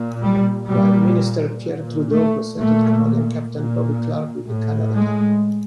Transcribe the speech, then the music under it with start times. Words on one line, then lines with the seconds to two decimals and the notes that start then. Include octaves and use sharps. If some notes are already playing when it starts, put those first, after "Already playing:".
Prime Minister Pierre Trudeau presented Canadian captain Bobby Clarke with the Canada Cup.
Already playing: A#2
0.22 G3
0.69 A#2 G3
1.63 A#2
2.11 A3
2.58 A#2 A3
3.53 A#2
4.47 A2
4.94 G#3